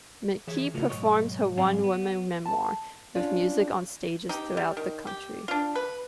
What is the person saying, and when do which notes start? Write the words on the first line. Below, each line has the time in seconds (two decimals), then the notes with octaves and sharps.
McKee performs her one-woman memoir with music on stages throughout the country.
0.47 E3 G#4 C#5 E5
0.74 C#3 A3 F4 F#4 A#4
0.89 B1 G#2 C#5 D#5
1.58 G#2 F#3 C4 D5 F5 G#5
1.84 B3
2.46 A5
3.15 C#4 D4 F4 C#5 D5
4.29 D#4 G4
4.57 G3
4.77 D#3
5.07 G4
5.48 D4 F4
5.75 B4